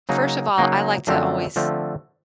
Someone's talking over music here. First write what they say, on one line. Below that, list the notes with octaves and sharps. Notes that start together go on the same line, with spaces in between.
First of all, I like to always
C#3 F#3 A#3 D#4
C#3 F#3 A#3 D#4
F#2 D3 F3 A3 C4
D3 F3 A3 C4